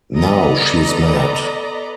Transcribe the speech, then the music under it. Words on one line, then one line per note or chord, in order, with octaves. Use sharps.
Now she's mad.
B3 A4 D5 D#5 A#5 B5